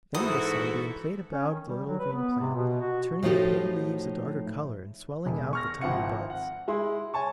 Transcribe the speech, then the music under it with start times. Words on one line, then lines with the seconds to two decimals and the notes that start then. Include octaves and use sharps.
Then the sunbeam played about the little green plant, turning the pale leaves a darker color and swelling out the tiny buds.
0.15 G#2 E3 E4 F#4 A4 D#6
1.32 C#4
1.47 D#3
1.65 G3
1.87 F#3
1.99 B4
2.13 B3
2.40 C3
2.55 B2
2.81 F#4
3.23 A2 F3 D#4 F#4 G4 A4
5.26 E1
5.53 C#6 F6 A#6
5.81 G#1 F3 C4 E4 F#5 C#7
6.30 F#5
6.68 G#3 E4 C6
7.14 C#5 G#5 A5 C#6